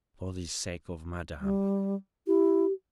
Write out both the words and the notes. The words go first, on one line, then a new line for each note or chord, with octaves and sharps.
For the sake of Madame.
G3
E4 G4